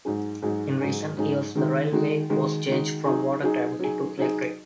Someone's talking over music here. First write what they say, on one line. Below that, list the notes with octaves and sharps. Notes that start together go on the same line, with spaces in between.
In recent years the railway was changed from water gravity to electric.
G#2 F#3 D#4 G#4
G#2 F#3 D#4 G#4
G#2 F#3 D#4 G#4
G#2 F#3 D#4 G#4
D#3 G#3 D#4 F#4
D#3 G#3 D#4 F#4
D#3 G#3 D#4 F#4
D#3 G#3 D#4 F#4
F#3 D#4 G#4
F#3 D#4 G#4
F#3 D#4 G#4
F#3 D#4 G#4